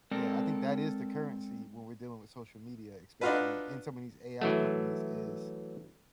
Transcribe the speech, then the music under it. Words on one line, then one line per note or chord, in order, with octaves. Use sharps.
Yeah, I think that is the currency when we're dealing with social media, especially in some of these AI companies, is
G#3 C4 A4 A#4 D5
D4 D#4 F4 F#4 B4
E3 F#3 A3